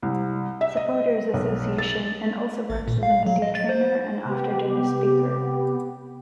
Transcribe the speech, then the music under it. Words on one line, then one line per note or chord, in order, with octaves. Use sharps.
Supporters' Association and also works as a media-trainer and after-dinner speaker.
C2
E5
D#5
B1
A6
A1
A#2
F5
F#3
D#5
A6
C5
C3 B3 G4